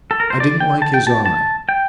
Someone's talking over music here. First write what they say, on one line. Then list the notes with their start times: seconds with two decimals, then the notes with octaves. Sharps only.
I didn't like his eye.
0.11 A4
0.20 A#4
0.30 C5
0.40 D5
0.60 G5
0.82 A5
0.94 G5
1.07 A5
1.26 A5
1.69 G5